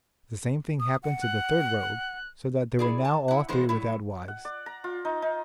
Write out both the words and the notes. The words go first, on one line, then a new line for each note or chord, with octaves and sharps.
The same thing happened to the third rogue, so that they were now all three without wives.
D#6
F#5
F#6
E4 G#4 D5
A5
E4 F#5
A#2 E3 G#3 B3 C5
F#3 G3 E4
F#5
D5
A#5
F4
D#4
D#4